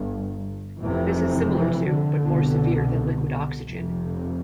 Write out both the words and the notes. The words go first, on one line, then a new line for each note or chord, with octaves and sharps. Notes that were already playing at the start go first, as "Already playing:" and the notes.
This is similar to, but more severe than liquid oxygen.
Already playing: G1 G2
F1 F2 C3 E3
E3
D3
C2 B2
F1 F2 C3